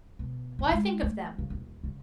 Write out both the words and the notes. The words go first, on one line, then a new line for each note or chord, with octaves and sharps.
Why think of them?
B2
F1
G#3
A3
C#3
D#1
C#3